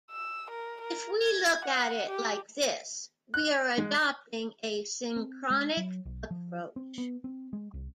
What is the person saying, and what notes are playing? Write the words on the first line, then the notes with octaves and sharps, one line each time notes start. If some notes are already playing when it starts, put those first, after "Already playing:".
If we look at it like this, we are adopting a synchronic approach.
E6
A#4
A#4
G#6
F#5
G4
F#6
G#3
C4
G#3
F#3
B1
F3
C4
B3
C4
G#3
C2